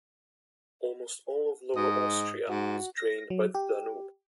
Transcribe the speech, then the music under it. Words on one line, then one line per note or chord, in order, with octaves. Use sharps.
Almost all of Lower Austria is drained by the Danube.
G#2 D#5
G#2 F#4
A#6
F#3
G4